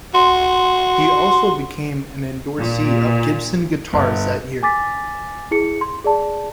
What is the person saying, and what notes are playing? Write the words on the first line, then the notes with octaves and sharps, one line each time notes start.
He also became an endorsee of Gibson Guitars that year.
F#4 C6
A#2
G1
G#5 D6 A6 B6
E4 G#4 C#7
C6
G#4 D5 A5